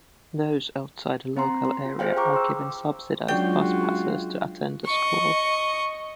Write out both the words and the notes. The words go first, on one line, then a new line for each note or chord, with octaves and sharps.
Those outside the local area are given subsidized bus passes to attend the school.
C4 A#5 C6
C6
F4
G#4 C5 F5 G5
G#4 G5 A#5 C#6 D6
C6 E6
F#3 G#3 C#4 D4 F4 F#4 D5 G5
D#5 C#6